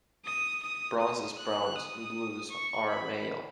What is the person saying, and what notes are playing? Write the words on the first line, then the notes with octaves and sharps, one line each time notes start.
Bronzes, browns, and blues are male.
D#6
D#6
D#6
F#6
D#6
C#6
B5